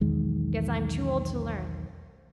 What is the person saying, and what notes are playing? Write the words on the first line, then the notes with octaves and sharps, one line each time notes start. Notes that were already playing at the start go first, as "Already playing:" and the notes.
Guess I'm too old to learn.
B1 E2 D#3 G#3